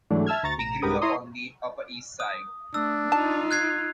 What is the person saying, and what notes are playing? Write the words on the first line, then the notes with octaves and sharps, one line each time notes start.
He grew up on the Upper East Side.
G#2 E3 F#3 A3 D4
E5 A5 E6 F6 G#6
D2 A#5 C#6 A6
A1 A#5 E7
C2 G#2 G4 A#4 B4 D#6
E4 C#5 A#5 C6 D#6
D#6
A3 D4 E6
D#4 F4 A5
F#6 G#6 C7